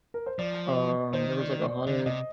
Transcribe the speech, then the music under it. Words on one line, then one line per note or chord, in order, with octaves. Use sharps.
um, there was like a haunted
A#4
C5
F3 D5
D#5
D#3 C5
D5
D5
D#5
D3 D5
C3 D#5